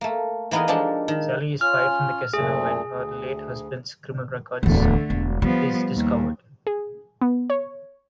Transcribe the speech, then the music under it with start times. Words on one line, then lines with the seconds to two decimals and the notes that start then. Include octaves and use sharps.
Sally is fired from the casino when her late husband's criminal record is discovered.
0.01 A3 A#3
0.51 E3 A#3 B3 D#4 G#4 A#4
0.68 F3 G#3 A#3 D4 G4 A4
1.08 D#3
1.61 C#4 F4 F6
2.33 F#2 A#2 A3 G#4
2.91 D2
4.63 D1 E2 D3 A3
5.10 E1
5.42 F3 G3 B3
5.95 D#2
6.67 G#4
7.21 B3
7.50 C#5